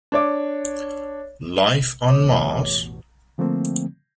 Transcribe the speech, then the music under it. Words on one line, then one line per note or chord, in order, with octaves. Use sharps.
Life on Mars?
D4 C#5 D6
A1 E2 B2 C#5 D6
D3 F3 A3 A#3 C4